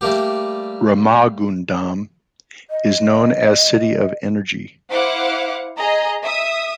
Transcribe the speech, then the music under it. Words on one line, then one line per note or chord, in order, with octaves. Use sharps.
Ramagundam is known as city of Energy.
G3 A3 A#3 G4
D#5
E4 C5 F5 F#5 D6
G#4 D#5 A#5
E5 D#6